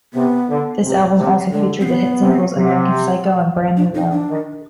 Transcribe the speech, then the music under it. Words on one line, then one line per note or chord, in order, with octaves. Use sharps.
This album also featured the hit singles "American Psycho" and "Brand New Low".
C3 B3
D3
C3
C3
D3 G#3
C4
B3
C3
C3
D4
D#4
D4
D#3